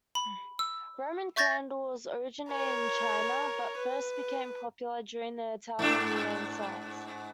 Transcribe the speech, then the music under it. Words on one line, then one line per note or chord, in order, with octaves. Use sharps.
Roman candles originated in China, but first became popular during the Italian Renaissance.
B5
E6
E5 C#6 G6 A6 A#6
A#4 C#5
B4
G#2 D4